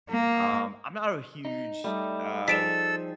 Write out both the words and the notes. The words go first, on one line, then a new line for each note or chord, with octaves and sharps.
um, I'm not a huge, t uh
A#3
D#4
G3 A3 D#4
F3 D#4 G#4 A4 E6 B6 D7 E7